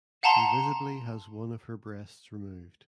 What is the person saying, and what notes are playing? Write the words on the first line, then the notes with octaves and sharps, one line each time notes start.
She visibly has one of her breasts removed.
F5 F#5 A5 A#5 C6